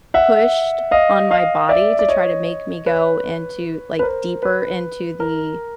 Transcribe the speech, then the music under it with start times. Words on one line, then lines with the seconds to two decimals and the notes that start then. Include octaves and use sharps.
pushed on my body to try to make me go into, like, deeper into the
0.14 E5 F#5
0.91 D#5 F5
1.31 D#5 F5
1.69 D5 E5
1.99 D5
2.08 C#5 D#5
2.86 B4 C#5
3.99 B4
4.03 A#4 C5
4.43 B4
5.20 A#4